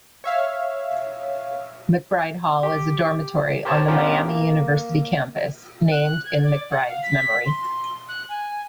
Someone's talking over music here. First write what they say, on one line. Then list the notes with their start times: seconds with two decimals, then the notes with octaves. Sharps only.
McBride Hall is a dormitory on the Miami University campus named in McBride's memory.
0.24 C#5 E5 F5
2.63 G4
3.65 G4 A#4 C5 C#5 A5
3.88 B3 C#4 D4 F4 G4 A#4
4.28 A#3
5.91 F#6
6.25 G#6
6.43 D5
6.70 F#5
6.88 F5
7.02 B6
7.45 C6
8.08 F#6
8.29 G#5